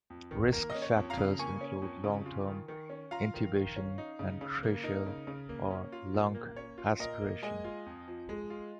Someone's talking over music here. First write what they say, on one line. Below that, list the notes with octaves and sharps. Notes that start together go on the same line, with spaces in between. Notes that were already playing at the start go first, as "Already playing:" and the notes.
Risk factors include long-term intubation and tracheal or lung aspiration.
F2
D#3
A#3 A#4
D#5
C#4
C#5
F2
F5 A#5
C#3
A#3 G#5 C#6
C#4
F2
C#3
F4
D#3
D#3
C#4
F4 F5 A#5
D#3
D#3
C#4
D#4
C#3
C#3
A#3
D#4 A#4
C#3
C#3
A#3
C#4
F4
A#2
A#3
C#4 C#5
F4
A#2 A#4 D#5
A#3
G#3 D#5 G#5
F4
F2
F3
G#3
F4